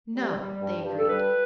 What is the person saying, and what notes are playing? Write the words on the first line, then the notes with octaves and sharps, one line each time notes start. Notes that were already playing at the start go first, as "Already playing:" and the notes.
"No," they agreed.
G3
G3
G2
G2
A4
G3 B4